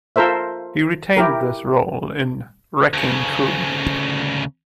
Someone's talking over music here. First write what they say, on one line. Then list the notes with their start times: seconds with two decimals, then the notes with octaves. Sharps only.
He retained this role in "Wrecking Crew".
0.16 F4 A4 A#4 C5 E5
1.17 E4 G4 A#4
2.94 D2 C#3